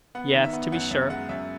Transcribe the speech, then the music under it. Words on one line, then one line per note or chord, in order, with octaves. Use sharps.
"Yes, to be sure."
B3 F#5
D#3
E5
B3
F#2 F#5
F#2 E5
G#3 F#5
F#2 E5